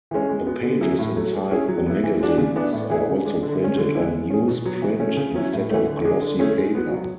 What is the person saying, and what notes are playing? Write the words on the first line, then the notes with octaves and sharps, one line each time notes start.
The pages inside the magazines are also printed on newsprint instead of glossy paper.
E3 G#3 C#4
G#3
B3 F#4
D3
F#3 A3 E4 G#4
A2
F#3 A3
G#3
C#4 E4 G#4
F#3
B3 E4
E3
G#3 D4 F#4
C#3
E3 B3 D4
A2
E3 A3 E4 G#4
C#3
G#3 D4
D3
G#3 C#4
D3
G#3 B3 E4
G#3
C#4 G#4
B2
F#3 B3
E3
A3 C#4
C#3
F#3 C#4 E4
A2
E3 A3
D3
G#3 D4 G#4
D3
A3 C#4 E4 G#4
G#3
B3 F#4
F#3